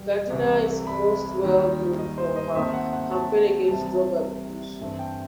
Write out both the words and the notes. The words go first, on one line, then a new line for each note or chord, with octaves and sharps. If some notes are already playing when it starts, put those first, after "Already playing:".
Gardiner is most well known for her campaign against drug abuse.
Already playing: E2 B2 G3 B3
C2 C3 E3
B5
D#2 D#3 G3
D#5
C5
D#5
D#2 D#3 A3 C4 E5
F#5
F#5
A5
C2 C3 E3 G3 A5
G2 E3 A3 C4
G5